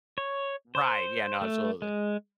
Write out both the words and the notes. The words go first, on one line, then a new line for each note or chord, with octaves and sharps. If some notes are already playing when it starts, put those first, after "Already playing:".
Right, yeah, no, absolutely.
C#5
C5
A3
G#3